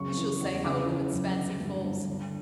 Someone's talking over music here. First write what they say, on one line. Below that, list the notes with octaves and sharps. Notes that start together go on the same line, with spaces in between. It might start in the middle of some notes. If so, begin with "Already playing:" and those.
Who shall say how a woman's fancy falls?
Already playing: F#2 C#3 C#6
E3
E2
C#3 D6
E3
F#2
D3
G2
G2
D3